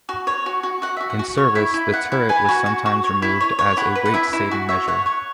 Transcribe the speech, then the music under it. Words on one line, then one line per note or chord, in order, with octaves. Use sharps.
In service, the turret was sometimes removed as a weight saving measure.
F#4
C#5
F#4
F#4
F#4 F#5
F#4 E5
F#5
F#4
C#5
E4 E5
E4
E4 F#5
E4
B4 G#5
F#4
F#4
F#4
C#5
E4
C#5
C#5
E4 F#5
B4
F#5
E4 E5
E4
F#4
C#5 E5
C#5 F#5
C#5 F#5